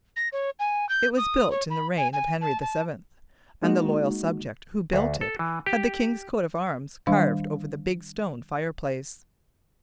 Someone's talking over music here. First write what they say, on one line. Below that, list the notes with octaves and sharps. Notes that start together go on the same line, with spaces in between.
It was built in the reign of Henry VII, and the loyal subject who built it had the king's coat of arms carved over the big stone fireplace.
A#6
C#5
G#5
G6
D#6
C#5
B5
G#5
G#5
A5
A5
G#3 A#3 D#4 F#4
D2
A4
E3
G4
D#3 G3 D4 F5